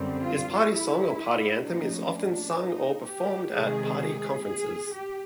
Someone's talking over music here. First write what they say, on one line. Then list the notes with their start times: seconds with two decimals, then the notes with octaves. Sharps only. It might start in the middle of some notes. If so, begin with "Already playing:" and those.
This party song or party anthem is often sung or performed at party conferences.
Already playing: F#2 D3 G3 C4
0.23 F4
0.69 E4
1.64 A2 F3 A#3 C#4 D#4
2.11 D4
2.58 D#4
3.06 G4
3.53 C3 D#3 G#3 G#4
4.47 G#4
4.94 G4